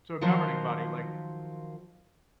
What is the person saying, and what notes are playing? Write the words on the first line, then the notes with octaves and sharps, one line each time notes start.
So, a governing body, like
D#3 F3 F#3 F4 C5